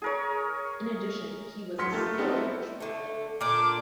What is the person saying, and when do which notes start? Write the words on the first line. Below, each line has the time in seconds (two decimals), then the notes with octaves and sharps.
In addition, he was a skilled bush pilot.
0.02 G#4 A#4 C#5
1.78 A1 F#3 C6 F6 B6 C#7
1.92 A3 A#3 F4 G4 A4
2.06 A3
2.18 G3 A3 B3 C4 D#4 A4
2.33 E4 C5
2.80 D3 A3
3.41 A#2 D4 D6